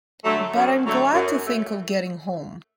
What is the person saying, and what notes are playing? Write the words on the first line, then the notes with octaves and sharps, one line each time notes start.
But I’m glad to think of getting home.
D3 F#3 A3
F#2
D3 F#3 A3
F#2
A3